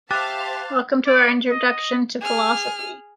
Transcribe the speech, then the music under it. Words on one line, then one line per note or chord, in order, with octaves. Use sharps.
Welcome to our introduction to philosophy.
G4 C5 E5 F5 A5 D6 F#6 A6
D5
D#5
G#4 F6